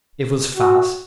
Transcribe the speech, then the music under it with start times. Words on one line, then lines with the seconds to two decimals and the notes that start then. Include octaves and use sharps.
It was fast.
0.58 F#4